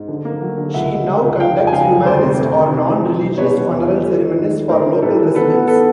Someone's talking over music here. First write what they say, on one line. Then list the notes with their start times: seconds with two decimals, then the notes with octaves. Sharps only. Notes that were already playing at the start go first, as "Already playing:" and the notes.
She now conducts humanist or non-religious funeral ceremonies for local residents.
Already playing: G#2
0.08 D3
0.25 A#3
0.42 F#3
0.58 D3
0.74 C#2 E5 F#5
0.91 G#3
1.07 G#3
1.24 C#2
1.40 F3 F5 G5
1.57 F2
1.67 G#5
1.73 C#3 F5 G5
1.90 F2
2.06 D2 C5 D5
2.23 C3
2.39 D2
2.55 C3
2.72 C3
2.88 E3
3.06 C3
3.22 C3
3.38 B2 B4 C#5
3.54 C#4
3.71 E2
3.88 G#3
4.04 A3
4.20 D#3
4.36 G#2
4.53 A3
4.69 A2 A#4 C5
4.86 C4
5.02 A2 A4 B4
5.18 E3
5.35 B3 A4 B4
5.52 B3
5.68 B3 A4 B4